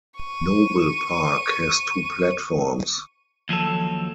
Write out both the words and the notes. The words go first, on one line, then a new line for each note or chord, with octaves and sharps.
Noble Park has two platforms.
C#6 D#7
D#2 F3 F#3 A4